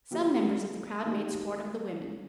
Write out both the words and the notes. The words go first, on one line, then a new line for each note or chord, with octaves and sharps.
Some members of the crowd made sport of the women.
D#3 F#3 A#3 D#4 G4
D#3 F#3 A#3 D#4 G4